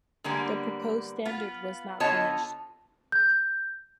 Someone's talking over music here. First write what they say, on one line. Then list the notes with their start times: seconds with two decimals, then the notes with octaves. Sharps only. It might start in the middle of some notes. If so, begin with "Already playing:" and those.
The proposed standard was not finished.
0.24 D3 G3 G#3 A#3 B3
1.25 B3 F4
2.00 D3 B3 F4 C#5 D#5 A5
3.12 G6